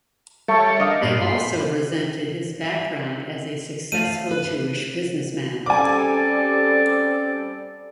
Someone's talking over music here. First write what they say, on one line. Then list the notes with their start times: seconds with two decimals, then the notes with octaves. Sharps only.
They also resented his background as a successful Jewish businessman.
0.48 G3 A3 A4 C#5
0.80 D4 A#4 D#5 F5
1.02 G2 A#2 B3
1.22 B5 C6
2.63 E5
3.92 A3 F5 D#7
4.31 B4
5.66 G3 C4 C#4 A4 D5 G#5 D6